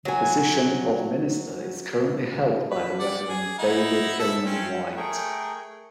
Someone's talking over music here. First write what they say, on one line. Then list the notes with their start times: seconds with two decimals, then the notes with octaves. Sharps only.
The position of minister is currently held by the Reverend David Illman-White.
0.05 F#3 G#5
2.71 B4
2.99 D5 F#5
3.28 G#4
3.58 D#4 E4 F#5
4.19 A4 E5
4.44 C4 C#4
4.97 A3 G#4 A#4 G5 C#6